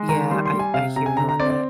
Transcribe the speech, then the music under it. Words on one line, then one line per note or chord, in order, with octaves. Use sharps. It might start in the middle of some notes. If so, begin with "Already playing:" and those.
Yeah, I I hear you on that.
Already playing: G#3
D#3 A#5
G3 C6
C6
G3
G#5
C3 F5
C3 A#5
G#5
D3 A#5
A#5
C4 D5
D5